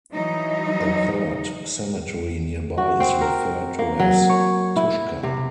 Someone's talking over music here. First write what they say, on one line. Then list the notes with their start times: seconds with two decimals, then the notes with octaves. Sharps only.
A third cemetery nearby is referred to as Tushka.
0.12 E3 F#3 D#4
2.78 F#4
3.00 C4
3.21 A#4
3.79 A#3
4.00 F#3
4.29 C#5
4.76 E4
5.23 C3